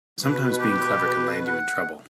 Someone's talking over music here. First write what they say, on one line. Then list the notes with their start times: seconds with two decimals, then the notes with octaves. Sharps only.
Sometimes being clever can land you in trouble.
0.23 B2 B4
0.59 G4
1.47 F#5